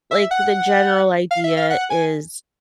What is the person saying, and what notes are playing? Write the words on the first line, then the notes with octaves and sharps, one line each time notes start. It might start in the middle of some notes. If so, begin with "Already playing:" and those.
like, the general idea is
E5
F#5
F5
E5
F5
F#5
G#5